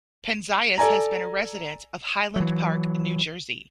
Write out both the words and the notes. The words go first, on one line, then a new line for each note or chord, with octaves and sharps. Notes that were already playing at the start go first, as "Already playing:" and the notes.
Penzias has been a resident of Highland Park, New Jersey.
A4 D5 G#5 A#5
E3 F#3